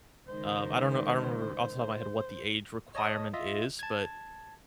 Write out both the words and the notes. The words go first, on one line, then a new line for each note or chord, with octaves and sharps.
um, I don't know, I don't remember off the top of my head what the age requirement is, but
C#2 D#3 C5
C#5 D#5 A5 D#6
F4 D#5 E5
A5 G#6